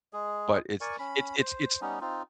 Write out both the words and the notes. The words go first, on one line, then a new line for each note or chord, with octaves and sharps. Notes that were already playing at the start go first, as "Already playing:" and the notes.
but it's it's it's it's
G#3 G#4
A#4 D5 G#5 C#6
C#4 B5
C5
G3 B3 C#4 D#4
C4 D#4 F4